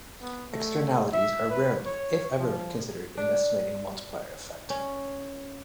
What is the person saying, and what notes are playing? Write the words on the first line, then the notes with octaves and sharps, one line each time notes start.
Externalities are rarely if ever considered in estimating a multiplier effect.
B3
A3
E5
B4
C#5
F3
D4
C#4